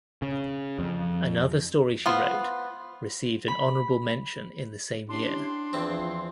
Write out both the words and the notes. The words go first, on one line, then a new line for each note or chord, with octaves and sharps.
Another story she wrote received an honorable mention in the same year.
C#3
F2
B3 F4 C5
B5
C#4 D4 E4 G4 C6
E2 F3 C4